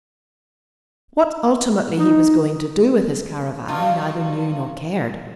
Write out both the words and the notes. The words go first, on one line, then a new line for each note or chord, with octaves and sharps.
What ultimately he was going to do with his caravan he neither knew nor cared.
D#4
G2 B2 F4